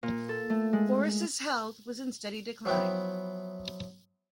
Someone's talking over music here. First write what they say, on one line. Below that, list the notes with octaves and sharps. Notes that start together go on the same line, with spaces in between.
Forrest's health was in steady decline.
A#2
A4
A3
G#3
F3 F#3 B3 E4 G5